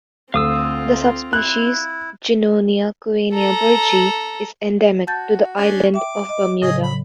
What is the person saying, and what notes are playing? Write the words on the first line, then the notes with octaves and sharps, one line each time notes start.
The subspecies "Junonia coenia bergi" is endemic to the island of Bermuda.
D2 C4 F4 F5 D#6 E6
E4 F#6
A4 A#5
F#4 A5 G6 A6
C#4 D4
E5 G5 D6
D#5
A2 C#3 F#3 G#4 D#5
B5